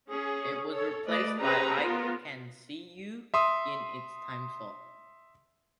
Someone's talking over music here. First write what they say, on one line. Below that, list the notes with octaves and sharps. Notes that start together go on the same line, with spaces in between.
It was replaced by "I Can See You" in its timeslot.
C#4 G#4
A4 C#5
A3 B4 D5 D#5
C#4 G4 G#4 B4 C5 A#5
B3 F4 A#4
E5 C6 D#6